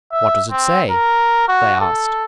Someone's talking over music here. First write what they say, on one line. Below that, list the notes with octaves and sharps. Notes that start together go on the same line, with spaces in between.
"What does it say?" they asked.
E5
C4
A#4
F#4
A4